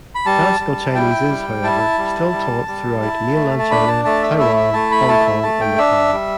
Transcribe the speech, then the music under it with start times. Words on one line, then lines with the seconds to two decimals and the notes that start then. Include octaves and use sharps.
Classical Chinese is, however, still taught throughout mainland China, Taiwan, Hong Kong and Macau.
0.15 B5
0.26 G3 A5
0.60 G3
0.95 E4 G5
1.29 G3
1.63 E4 A5
1.98 G3
2.32 G3
2.68 G3
3.02 E4
3.36 A3
3.59 A5
3.71 D4 B5
3.88 A5
4.05 A3 A5
4.22 E5
4.39 E4 E5
4.56 E5
4.74 A3 A5
4.91 B5
5.08 E4 A5
5.26 E5
5.43 A3 A5
5.61 G5
5.78 D4 E5
6.13 G3